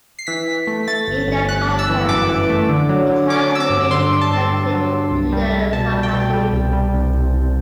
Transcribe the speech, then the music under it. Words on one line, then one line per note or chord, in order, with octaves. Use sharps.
In that context, it has remained connected to the Papacy.
C7
E3 B6
E3
A3
A3 A6
G1
G1
G1 F#6
G1
E6
E3
F#2 D6
E3
A3
D3
F#3
D3
F#3 D6
F#3
E6
D6
G2
D3 C6
G2
A5
G2
G2
F#3
G2
C2
G3
G3
B2 A5
G3
G5
B2
G3
C2
G3
C2
C2
C2